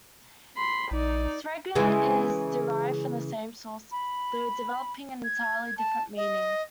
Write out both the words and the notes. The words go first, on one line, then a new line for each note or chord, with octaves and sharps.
"Sergeant" is derived from the same source, though developing an entirely different meaning.
B5 C6
A#1 D#4 D5
C#3 E3 G#3
B5
G#6
A5
D#5